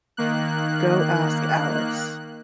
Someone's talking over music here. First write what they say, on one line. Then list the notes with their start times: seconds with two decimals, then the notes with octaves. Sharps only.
Go Ask Alice!
0.17 D#3 A#3 F#6